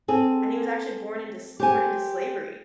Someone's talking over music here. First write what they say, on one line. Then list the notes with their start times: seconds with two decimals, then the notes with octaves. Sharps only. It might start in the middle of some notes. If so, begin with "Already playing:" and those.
And he was actually born into s born into slavery,
0.08 C4 G#4 A4
1.60 G4 C5 G#5